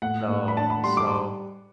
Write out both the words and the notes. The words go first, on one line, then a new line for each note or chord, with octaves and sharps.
So so
A2 F#5
A2
B5
D4 A5
B5
G3 C6
D6